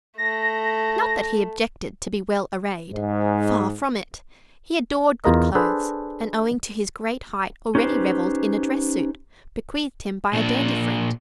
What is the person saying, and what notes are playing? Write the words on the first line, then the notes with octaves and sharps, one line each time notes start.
Not that he objected to be well arrayed; far from it; he adored good clothes, and owing to his great height already revelled in a dress-suit, bequeathed him by a dandy friend.
A3 A#6
G#2
E2 F4 A#4 D#5
D4 G#4 A4 B4 C5
C#4 D#4 G4 B4 C5
A#2 D4